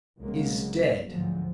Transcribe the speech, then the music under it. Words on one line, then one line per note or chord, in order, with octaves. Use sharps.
"Is dead."
C2 C#3 F#3 G#3 A#3 B3
D2 G#2 D3 F3 F#3